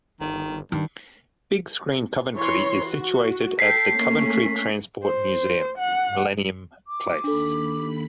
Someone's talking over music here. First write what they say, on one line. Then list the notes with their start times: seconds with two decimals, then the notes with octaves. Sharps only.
Big Screen Coventry is situated at the Coventry Transport Museum, Millennium Place.
0.20 G1 D#3
0.72 G2 D#3
2.36 E3 C#5 C6
2.85 F#4
3.59 A4 G5 B6 C7
3.90 A3 A#3 C#4
5.04 C5
5.79 F#5
6.87 D6
7.24 D#2 D4 A4 B5